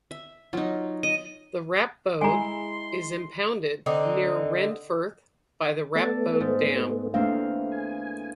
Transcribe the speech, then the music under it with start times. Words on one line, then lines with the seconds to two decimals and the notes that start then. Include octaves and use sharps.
The Rappbode is impounded near Wendefurth by the Rappbode Dam.
0.11 E5
0.53 F#3 D#4 F4
1.03 D#5 D#7
2.21 G#3 E4 G#4 G#5 A#5 C6
3.86 D3 C4 D#4
5.95 A3 B3 A4 D5
6.41 G#2
7.14 E2 A3 A#3 C4 D4 F5
7.72 G#5